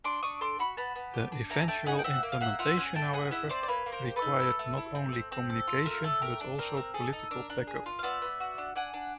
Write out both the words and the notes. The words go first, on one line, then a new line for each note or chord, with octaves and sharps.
The eventual implementation, however, required not only communication, but also political backup.
D4 C6 D6
D4 C#6 D#6
A4 C6 D6
F#4 B5 C#6
B3 A5 B5
B3
G4
D4
A3 G#5 A#5
A3 G5 A5
D#4 F#5 G#5
G5
C4 E5 F#5
A#3
F5
A#3 E5 F#5
F4 E5 F#5
C#4 F#5 G#5
A3 G5 A5
G#4 F#5 G#5
E4 E5 F#5
C4 C5 D5
D5
A#3 B4 C#5
A#3
A#4 C5
G4
A4 B4
D#4
A3
A3
E4
C4
C4
C4
A4
F4
A3 A#4
A3 A4
G4 A#4
D4
C4 A#4
C4
G#4 A4
D#4
D4 A#4
D4
G#4
F4
F5
B3 D5 E5
B3
F#4
D4
D4 F#5 G#5
D4